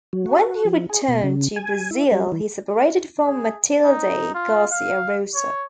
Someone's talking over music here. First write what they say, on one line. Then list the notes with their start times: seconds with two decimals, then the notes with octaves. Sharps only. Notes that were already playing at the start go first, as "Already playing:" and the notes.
When he returned to Brazil he separated from Matilde Garcia Rosa.
0.13 F#3
0.26 F#4
0.65 F3
0.89 G#4
1.08 B2
1.24 C#3
1.56 G#5
1.91 E4
2.12 G3
2.32 E3
3.26 G#4
3.84 D#4
4.34 F4
4.71 F5
5.35 C#5